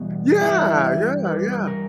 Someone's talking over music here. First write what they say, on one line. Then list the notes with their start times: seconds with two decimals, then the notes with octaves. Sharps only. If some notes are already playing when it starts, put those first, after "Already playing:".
Yeah, yeah, yeah.
Already playing: E2 B2 G3
0.41 G2 E3 G3 E4
1.25 B4
1.67 A#4